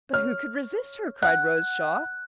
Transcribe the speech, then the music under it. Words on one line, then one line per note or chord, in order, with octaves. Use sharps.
"But who could resist her?" cried Rose Shaw.
C#5 F6
F#5 F#6